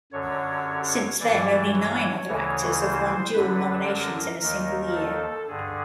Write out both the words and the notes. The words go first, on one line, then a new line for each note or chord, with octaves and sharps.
Since then, only nine other actors have won dual nominations in a single year.
F#2 D3 C#5
G2 E3 D5
C#5
D2 C#3 E3
C5
F#2 D3 B4
A#4
D#2 D#3 A#4
A4
G2 D3 G#4